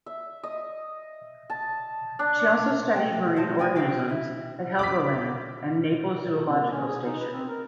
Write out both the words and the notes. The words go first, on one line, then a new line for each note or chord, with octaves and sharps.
She also studied marine organisms at Helgoland and Naples Zoological Station.
E5
D#5
A5
D4
G5
C5 D#5 A5
D5 G5 G#5
F#4 A4 F5 G5
E4
D6 B6
A4
C4
A#3
C#4
G#4
D#4
B4
C4
A#4